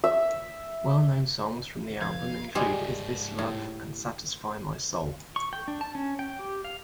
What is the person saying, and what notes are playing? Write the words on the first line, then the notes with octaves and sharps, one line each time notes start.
Well-known songs from the album include "Is This Love" and "Satisfy My Soul".
E5
F1 F5 G#6
G#2 G3 G#3 G4 C#5
A2
C#6
G5
D4
A5
C#4
G5
G4
F5